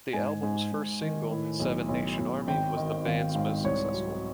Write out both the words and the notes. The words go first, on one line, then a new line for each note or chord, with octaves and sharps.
The album's first single, "Seven Nation Army", was the band's most successful.
G#2 G#5
G#2
G#2
D#3
A2
B1
B1
B1
G#1 G5
D#3
G#1 F5
G#2 F5
C2 C#5
F#3